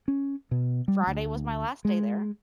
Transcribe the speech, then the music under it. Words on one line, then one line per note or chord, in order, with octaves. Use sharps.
Friday was my last day there
C#4
B2
G3
D2
G#3